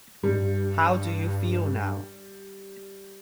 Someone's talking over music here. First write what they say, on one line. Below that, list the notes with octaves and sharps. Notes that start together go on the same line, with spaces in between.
How do you feel now?
G2 G3
G#2
G2